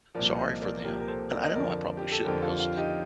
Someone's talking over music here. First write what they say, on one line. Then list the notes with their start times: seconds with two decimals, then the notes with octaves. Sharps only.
sorry for them, and I don't know, I probably shouldn't 'cause,
0.15 C2 A#2 F3 A#4 D5
0.38 C5 D#5
0.61 A#4 D5
0.84 C2 A#2 F3 G4 A#4
1.00 A#4
1.08 A4 C5
1.31 A#4 D5
1.43 D#5
1.55 F2 D3 F3 A#4 D5
1.97 G4
2.12 A4
2.24 F2 D3 F3 G4 A#4
2.42 F4 A4
2.59 F4
2.77 D#4 G4